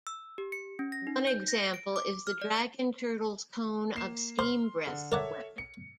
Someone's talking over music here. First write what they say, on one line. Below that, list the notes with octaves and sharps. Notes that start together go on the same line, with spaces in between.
One example is the dragon turtle's cone of steam breath weapon.
E6
G4
C#7
C#4
A#6
D#4
G6
A#6
D7
D6
F6
D5
A#3 C7 E7
C5 C6 F6
D3
A4 A#4 C#5 D5 E5 F#5
C#7